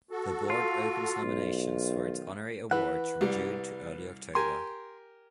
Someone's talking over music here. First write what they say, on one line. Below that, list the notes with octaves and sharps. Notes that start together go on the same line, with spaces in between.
The Board opens nominations for its honorary awards from June to early October.
F#4 A4
F4
B1
D#3
E3 B4 F#5
C2 G3
G4 A#4 G#5 C6